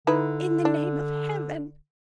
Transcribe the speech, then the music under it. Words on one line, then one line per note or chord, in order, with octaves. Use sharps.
"In the name of heaven!"
D3 D#4 E4 B4
D4